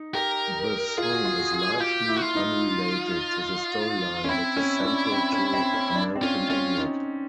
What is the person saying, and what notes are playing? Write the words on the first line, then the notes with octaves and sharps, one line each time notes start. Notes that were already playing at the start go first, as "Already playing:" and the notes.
The song is largely unrelated to the storyline that is central to "American Idiot".
Already playing: D#4
G4 A#4
F4 G#4
F#4
F4
F#4
F4
F4 G4
E4
F#4
F4
D#4
C#4
C4 E4
C#4
D4
C#4
C4
C#4
C4
C#4
D4
C4
C#4 F4
C#4 F4
D#4